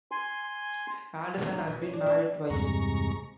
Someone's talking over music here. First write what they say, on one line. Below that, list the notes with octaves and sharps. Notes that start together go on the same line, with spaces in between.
Anderson has been married twice.
G#5 C6
D#4
B2
C#4
D4
D4
E2 G2 C3 G#3 A#5 C#6